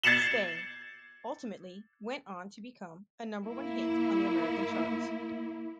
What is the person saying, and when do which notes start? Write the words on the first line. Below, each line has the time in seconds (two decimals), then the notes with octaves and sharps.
"Stay" ultimately went on to become a number one hit on the American charts.
0.03 G#6 A6 C7 C#7 E7 F#7
3.43 A#3 E4